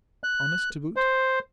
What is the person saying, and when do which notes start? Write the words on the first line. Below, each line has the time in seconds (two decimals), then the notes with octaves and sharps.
Honest, to boot.
0.24 F#6
0.96 C5